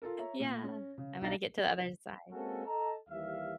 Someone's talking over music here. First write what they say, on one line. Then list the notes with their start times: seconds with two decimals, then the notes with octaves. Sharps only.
Yeah. I'm gonna get to the other side.
0.02 F4 A4 A#4
0.18 C#5 E5 A#5
0.40 A#2
0.64 C#4
0.98 C#3
1.22 B1 D4 D#4 F5 A6 A#6
2.32 G#3 A#3 C4 C#4 F#4 A4
2.66 A4 D#5 A5 A#5
3.09 D#2 E3 G3 E5 F5